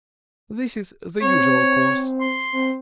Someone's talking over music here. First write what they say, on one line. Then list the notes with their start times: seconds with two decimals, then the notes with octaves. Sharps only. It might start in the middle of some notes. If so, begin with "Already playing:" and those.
This is the usual course.
1.21 C4 C#5
2.21 C6
2.53 C4